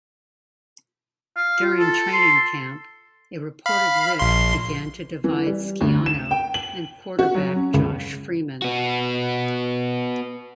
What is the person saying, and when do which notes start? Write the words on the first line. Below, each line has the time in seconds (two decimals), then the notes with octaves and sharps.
During training camp, a reported rift began to divide Schiano and quarterback Josh Freeman.
1.36 F5
1.60 F4
1.79 A4
2.13 C6
3.66 F5 B5
4.19 A#1 C6
5.24 E3
5.46 G3
5.81 D2
6.06 E7
6.31 G5
6.54 F#7
7.19 F#4
7.35 F#3
7.56 C#4
7.74 C#2
8.62 B3 F#4